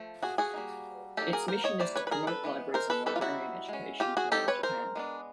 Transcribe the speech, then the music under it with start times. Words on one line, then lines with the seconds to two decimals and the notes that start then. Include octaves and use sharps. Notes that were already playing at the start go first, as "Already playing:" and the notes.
Its mission is to promote libraries and librarian education throughout Japan.
Already playing: F3 A3
0.22 F#4 G#4
0.38 F#4 G#4
0.54 G3 A#3 D#4
1.17 F#3 A#3 D#4 G4 A4
1.33 G#4 A#4
1.48 A#4 C5
1.64 C#5 D#5
1.80 E3 G3 A#3 C5 D5
1.95 B4 C#5
2.07 B4
2.11 G#4 A#4
2.27 A4 B4
2.44 E3 G#3 B3
2.74 A#4 C5
2.90 A4 B4
3.06 G3 B3 D#4 A4 B4
3.16 F4
3.21 E4 F#4
3.68 G#3 C#4
4.00 F4 G4
4.17 F#4 G#4
4.31 G#3 C4 D#4 G4 A4
4.48 B4 C#5
4.63 A#4 C5
4.96 G#3 B3 D4